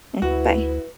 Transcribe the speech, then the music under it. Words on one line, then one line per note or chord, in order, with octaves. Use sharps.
Mm, bye.
D2 E4 F#4 B4